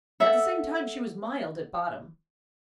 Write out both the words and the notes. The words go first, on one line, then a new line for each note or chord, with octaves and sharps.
At the same time she was mild at bottom.
A4 E5 F#5